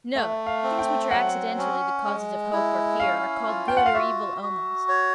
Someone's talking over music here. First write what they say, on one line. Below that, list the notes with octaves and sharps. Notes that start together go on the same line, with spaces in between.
Note.--Things which are accidentally the causes of hope or fear are called good or evil omens.
A3 E5
F5
C4
G5
F#3 F#5
C#4
G#3
E4
C#4 F5
F4
G5
F#5
F5
F#4 E5
F#4
C#5